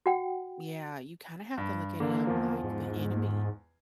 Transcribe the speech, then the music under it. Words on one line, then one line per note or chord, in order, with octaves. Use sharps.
Yeah, you kinda have to look at him like the enemy,
F#4 F#5 G5
G2
D3 A#3
E2 F3
G#2